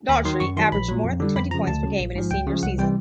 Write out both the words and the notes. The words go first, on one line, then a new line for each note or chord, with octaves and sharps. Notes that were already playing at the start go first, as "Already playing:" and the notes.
Daugherty averaged more than twenty points per game in his senior season.
D#2 B5
D#3 F#3 C6
F#2 C#6
D#3 F#3 C6
A#1 B5
A#2 F#3
F2
D3 G3
F2 B5
C#3 F3 A#5
D2 A5
C#3 F#3
A#1
G#2 F3
C#2 G5
C#3 F3
C2 F#5
C3 E3 G3 G5